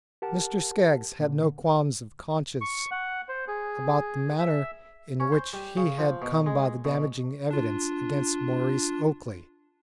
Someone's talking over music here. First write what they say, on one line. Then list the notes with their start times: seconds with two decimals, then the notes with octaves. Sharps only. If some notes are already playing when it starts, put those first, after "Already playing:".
Mr. Skaggs had no qualms of conscience about the manner in which he had come by the damaging evidence against Maurice Oakley.
0.22 G4 A#4 F#5 A5
1.20 A#2 D3
2.61 C#6
2.91 F#5
3.29 C5
3.48 G#4
4.39 E5
5.20 C#4
5.32 C5
5.53 G3
5.77 C#3
5.98 F3
6.22 B2
6.46 G#3
6.85 B2
7.51 D4 F4